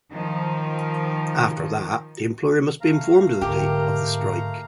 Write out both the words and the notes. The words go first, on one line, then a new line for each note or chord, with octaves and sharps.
After that, the employer must be informed of the date of the strike.
D#3 F3
A3 F5 A#5
G#2 D3 G4 A#4